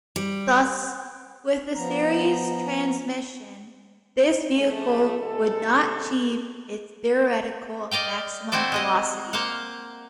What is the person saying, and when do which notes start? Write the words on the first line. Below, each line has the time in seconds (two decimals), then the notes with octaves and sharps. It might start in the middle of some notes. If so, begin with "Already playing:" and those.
Thus, with the series transmission, this vehicle would not achieve its theoretical maximum velocity.
0.16 G3
1.76 F3 B3 A#5
4.57 F3 A3 G#4
5.18 D#2 C3 G#3 A4
7.91 D5 D#5 F5 G5
8.52 A3 C4 E4 F#4 C5 D5
8.72 G#3 G#4 D#5
9.33 A#3 C5 F5 F#5